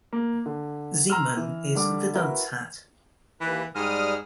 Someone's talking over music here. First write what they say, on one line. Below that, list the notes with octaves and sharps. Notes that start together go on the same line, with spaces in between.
Zeeman, is the "dunce hat".
A#3
D3
A#5 C6 E6 F6
E3
D3 G3 D6
E4 F#4 A#4 B4
D#2 E3 B4
G#2 G3 D#6 F6